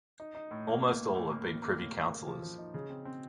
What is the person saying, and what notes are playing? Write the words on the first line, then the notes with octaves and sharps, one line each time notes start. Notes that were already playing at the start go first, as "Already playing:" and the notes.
Almost all have been Privy Councillors.
D#4
D#4
A2
A#3
A#3
A2
A2
A#3
A#3
A#3
A2
A#3
A#3
F3
F3
D#4
C#3
C4
C4